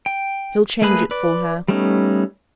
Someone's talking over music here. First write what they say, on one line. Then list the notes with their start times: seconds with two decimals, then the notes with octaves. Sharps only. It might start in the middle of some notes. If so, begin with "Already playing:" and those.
He'll change it for her.'
0.06 G5
0.82 A3 A#3 G#4 B4 B5
1.11 B4 D5
1.68 G3 A3 B3 C#4 D#4